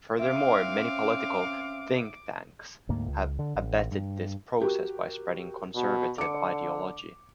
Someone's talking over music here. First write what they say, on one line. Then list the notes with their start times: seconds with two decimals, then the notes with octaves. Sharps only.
Furthermore, many political think-tanks have abetted this process by spreading conservative ideology.
0.19 C4 C#4 E5 F5 D6
2.89 D2 G#2 A#3
3.08 C#2
3.39 D3
3.55 A1
3.91 G2
4.60 F#4 G4 A#4
5.75 B2
6.18 D3 D6 C#7